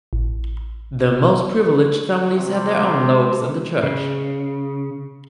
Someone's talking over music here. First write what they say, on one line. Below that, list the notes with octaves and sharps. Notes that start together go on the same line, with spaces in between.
The most privileged families had their own loges in the church.
A1
C3
G#3
C#3